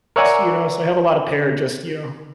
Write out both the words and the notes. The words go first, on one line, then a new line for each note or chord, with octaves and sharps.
s you know, so I have a lot of pair just, you know,
A#4 C#5 D5 E5 F#5 G#5